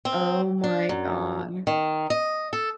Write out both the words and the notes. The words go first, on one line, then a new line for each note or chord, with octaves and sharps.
Oh my god.
C4
D4
F#2
D#3
D#5
A4